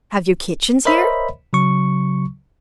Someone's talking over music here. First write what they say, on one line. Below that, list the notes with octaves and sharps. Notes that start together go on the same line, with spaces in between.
"Have you kitchens here?"
A#4 C5 C#5 D#5 E5 B5
C#3 F#3 C#6